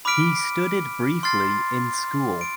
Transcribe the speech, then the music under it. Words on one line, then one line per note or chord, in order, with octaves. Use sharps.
He studied briefly in school.
B5 D6 F6 B6 D7
C6 F6 A6 C7
D7